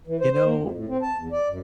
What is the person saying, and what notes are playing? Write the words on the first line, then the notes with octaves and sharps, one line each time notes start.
You know,
E3
C5
C5
A#3
F2
A2
C4
A5
E2
D5
F#2